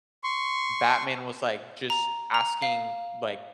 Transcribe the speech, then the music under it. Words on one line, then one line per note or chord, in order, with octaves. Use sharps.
Batman was, like, just asking, like
C6 C#6
A#5
A#5
F5